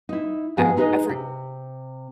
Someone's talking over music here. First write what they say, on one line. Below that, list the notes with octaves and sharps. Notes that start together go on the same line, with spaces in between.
I I for
D#4 E4
G#2 D#3 F3 B3 G#4
G#3 D#4 G#4 A#4 B4 D#5
C3